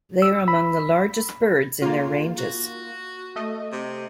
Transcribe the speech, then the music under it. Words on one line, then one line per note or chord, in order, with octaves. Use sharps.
They are among the largest birds in their ranges.
E6
B5
G#2 A#3 F4
F#4
A3 D#5
C3